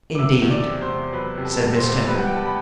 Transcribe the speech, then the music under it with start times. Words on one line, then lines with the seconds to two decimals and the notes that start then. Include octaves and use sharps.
'Indeed!' said Miss Temple.
0.15 D6
0.19 F#3 E5 E6
0.42 E2
0.50 D5 D6
0.66 C3
0.81 C5 C6
0.89 E2
1.13 F#3 B4 B5
1.38 C3
1.45 A4 A5
1.61 E2
1.77 C5 C6
1.84 E2
2.07 G3 B4 B5
2.19 F#5
2.27 G3 G5
2.36 A5
2.45 B5